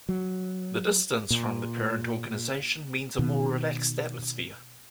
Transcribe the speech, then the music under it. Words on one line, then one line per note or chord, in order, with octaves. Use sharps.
The distance from the parent organization means a more relaxed atmosphere.
F#3
A#2
B2 D#3